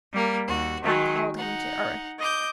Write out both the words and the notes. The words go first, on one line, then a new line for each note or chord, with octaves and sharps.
That called him to earth.
G3 A#3
D#2 F#4
D#3 F#3 G#3
D#4 F#5
D#5 D6 G6